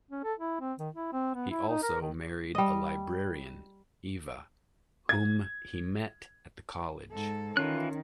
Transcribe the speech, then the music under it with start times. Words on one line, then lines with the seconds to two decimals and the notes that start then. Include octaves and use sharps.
He also married a librarian, Eva, whom he met at the college.
0.11 C#4
0.24 A4
0.40 E4
0.61 C4
0.79 D#3
0.95 E4
1.13 C4
1.34 B3
1.50 E4
1.69 D#4
1.83 A#4
2.02 D#3
2.55 G3 D#5
5.09 G#6
7.13 G#2 A4
7.57 D#3 E3 C#4 F4 F#6